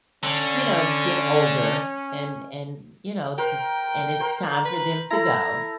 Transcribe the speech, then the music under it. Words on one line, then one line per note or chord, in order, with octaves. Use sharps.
you know, get older, and, and you know, just, and it's time for them to go,
D3 C#4
A#4 C5 G5
A#4 C5
B4
E4 A4 A#5